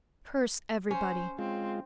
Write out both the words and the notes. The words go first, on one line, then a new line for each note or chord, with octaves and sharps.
Curse everybody!
C#4 C5
G#3 C4 F4